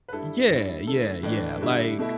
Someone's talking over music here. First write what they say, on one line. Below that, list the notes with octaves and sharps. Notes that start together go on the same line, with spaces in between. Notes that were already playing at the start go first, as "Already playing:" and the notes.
Yeah, yeah, yeah. Like,
B4
G2 G3 E4 A4
G2 G3 E4
D3 A3 E4 A4
A2 E3 A3 D4
G2 D3 G3 E4
B2 A3 E4